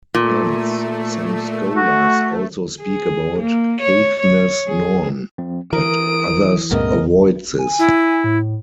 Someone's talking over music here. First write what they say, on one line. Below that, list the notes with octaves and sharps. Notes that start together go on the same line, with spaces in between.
Hence, some scholars also speak about "Caithness Norn", but others avoid this.
A#2 A3
F#4
G#4
A#3
C#5
C#5
G#4
F3 C4
E3 A#4 D#6 D7
C#2 G2 A#2 C#3 A3 B3 A#4 D#5
G#5
E4
A2